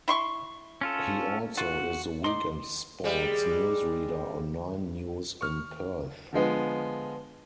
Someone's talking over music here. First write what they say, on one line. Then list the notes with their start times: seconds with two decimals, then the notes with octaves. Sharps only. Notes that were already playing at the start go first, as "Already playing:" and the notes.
He also is the weekend sports newsreader on Nine News in Perth.
0.08 E4 C6 C#6
0.81 C#4 F4 A4
1.57 F4 F#4
2.24 D#4 D5 C6
3.04 G3 G#3
5.41 C#6 F6
6.33 D3 F3 G#3 B3